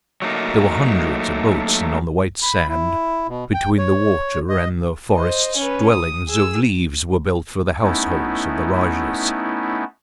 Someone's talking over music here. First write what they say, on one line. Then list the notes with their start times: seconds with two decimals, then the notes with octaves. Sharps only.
There were hundreds of boats, and on the white sand, between the water and the forests, dwellings of leaves were built for the households of the Rajahs.
0.22 F#3 A3 A#3 D#4
2.42 B5
2.68 E4
3.28 B2
3.54 G5
3.78 C#5
4.49 D#5
5.15 C5 D#5
5.57 C#4 B4
5.89 D#6
6.28 G#4 E6
7.81 A3 B3 C#4 D#4 E4